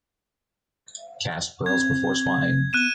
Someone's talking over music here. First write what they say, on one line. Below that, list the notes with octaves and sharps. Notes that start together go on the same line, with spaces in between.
Cast pearls before swine.
C4 G#6
B3 F#6 D#7 E7